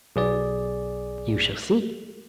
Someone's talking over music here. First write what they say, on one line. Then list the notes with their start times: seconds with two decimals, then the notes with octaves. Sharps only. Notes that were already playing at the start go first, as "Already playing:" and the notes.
"You shall see."
0.16 B1 G#4 D5